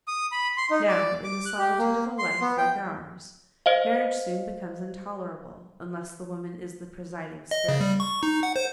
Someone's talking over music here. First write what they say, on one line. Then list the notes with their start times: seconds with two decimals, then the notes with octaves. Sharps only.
Now, in the solitude of a life like ours, marriage soon becomes intolerable unless the woman is the presiding spirit.
0.08 D#6
0.32 B5
0.57 C6
0.71 D#4
0.88 D5
1.24 D6
1.46 F#6
1.58 G4
1.79 A#3
2.18 C6
2.41 B3
2.58 G5
3.66 C5 D#5 F5
7.51 D#5
7.69 C#3
7.81 G3
8.00 C#6
8.23 D#4
8.43 F#5
8.56 C5